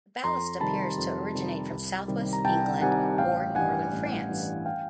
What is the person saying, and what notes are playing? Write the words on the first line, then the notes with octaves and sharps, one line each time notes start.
The ballast appears to originate from southwest England or Northern France.
F2 A#5 C6
C3 D#3 G3 A5 B5
F2
C3 D#3 G3
C2
C3 D#3 G3
A#5
C2 G5 A5
C3 D#3 G3 F#5 G#5
A1 F5 G5
G2 E3 G3 F#5 G#5
A1
G2 E3 G3
F5 G5